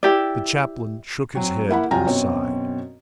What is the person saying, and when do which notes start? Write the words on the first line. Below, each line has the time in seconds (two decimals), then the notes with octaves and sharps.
The chaplain shook his head and sighed.
0.03 E4 G4 D5
1.35 F#3 C4 F#4
1.69 A#3 E4 F#5 B5
1.91 C2 F#3 F4 G5 G#5 A#5
2.07 F#2 B2 C4 C#5